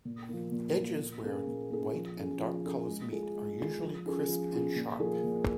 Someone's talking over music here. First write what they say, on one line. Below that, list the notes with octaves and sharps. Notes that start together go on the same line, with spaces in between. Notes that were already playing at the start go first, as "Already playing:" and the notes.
Edges where white and dark color meet are usually crisp and sharp.
A#2
F3 A#3
A#2
F3 A#3
A#2
A#3 C#4 G#4
A#2
A#3 C#4 G#4
F3
C#4 F4 G#4
F3
C#4 F4 G#4
G#3
F4 G#4
G#3
F4 G#4
F3
C#4 F4 G#4
F3
C#4 F4 G#4
A#2
F3 A#3 F4 G#4
A#2